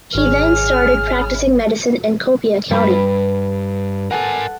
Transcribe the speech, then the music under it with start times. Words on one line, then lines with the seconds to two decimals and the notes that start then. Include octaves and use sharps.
He then started practicing medicine in Copiah County.
0.15 G#1 G#4 C#5 F6
2.71 G2 G3 B4
4.11 A4 A#4 F#5 G#5